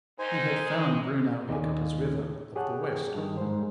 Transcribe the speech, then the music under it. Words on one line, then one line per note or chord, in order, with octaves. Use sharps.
He had found Bruno Heceta's River of the West.
D#2 D#4 C5 G#5
G#3
D#2 D#3 D5 G#5
G4 G#4 C#5 F#5 G5 A5
G2 D#3
G#2 C5